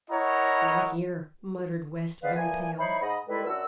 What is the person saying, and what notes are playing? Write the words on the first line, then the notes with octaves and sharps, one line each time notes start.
"They are here," muttered West, very pale.
E4 A#4 C#5 D#5 F#5 A#5
G#3 B3 B4 C5 D5 F5
A#2 E3 F3 G#5
D#4 E4 C5 C#5 B5
G#2 D#5 B5
D#3 G3 G#3 E4 A4 B4
F#2 D4 F#4 F#5 E6